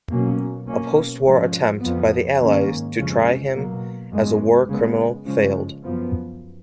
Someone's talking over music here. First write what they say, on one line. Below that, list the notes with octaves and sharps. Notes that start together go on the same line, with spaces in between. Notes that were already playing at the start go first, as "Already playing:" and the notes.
A post-war attempt by the Allies to try him as a war criminal failed.
B2 F#3 A#3 C#4
B2 A#3 C#4
G#2 F3 G#3 C#4
F2 F3 B3
G#2 D#3 A#3 C#4
F2 C#3 F3 G#3 C#4
B2 F#3 A#3
F#2 D#3 G#3 B3
C#3 G#3 B3
C#3 F3 G#3 C#4
F#2 F3 B3